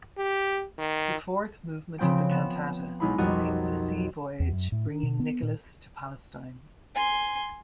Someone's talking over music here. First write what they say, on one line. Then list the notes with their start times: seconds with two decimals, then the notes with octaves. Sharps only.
The fourth movement of the cantata depicts a sea voyage bringing Nicolas to Palestine.
0.18 G4
0.78 D#3
1.98 C#3 F3 C4 B4 G5 D7
2.31 B3 E7
3.00 B1 G#3 D#4 E4 B5
3.18 B1 F2 G3 F#4 A#4 D#5
4.40 E2
4.53 F#2
4.72 A2
4.87 D4
5.03 B2
5.20 B3
5.42 A#2
6.95 G#5 C6